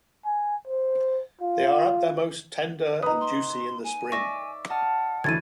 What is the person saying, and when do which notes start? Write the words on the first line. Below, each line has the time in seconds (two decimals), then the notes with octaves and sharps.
They are at their most tender and juicy in the spring.
0.25 G#5
0.67 C5
1.41 F4
3.03 D#4 B4 A#5 D#6
3.21 C6
3.84 G#5
4.12 D5 E5 C#6 A#6
4.69 D#5 F#5 A5 F6
5.24 D2 E3 C#4 E4 G#6 A6 D#7